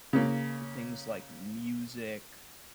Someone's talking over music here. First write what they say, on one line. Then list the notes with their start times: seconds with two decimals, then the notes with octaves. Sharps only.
things like music
0.13 C#3 A#3